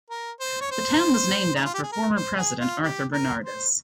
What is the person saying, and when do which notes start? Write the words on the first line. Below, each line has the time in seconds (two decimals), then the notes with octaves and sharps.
The town was named after former president Arthur Bernardes.
0.10 A#4
0.40 C5
0.61 C#5
0.71 C5
1.56 D#4
1.65 F4
1.74 G4
1.83 G#4
1.92 A#4
2.15 C5
2.37 G#4
2.60 F4
2.84 G4
3.13 A#4
3.44 C5